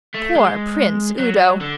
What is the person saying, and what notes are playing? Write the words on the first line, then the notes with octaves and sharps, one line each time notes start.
Poor Prince Udo!
A3
G#3
F#3
D3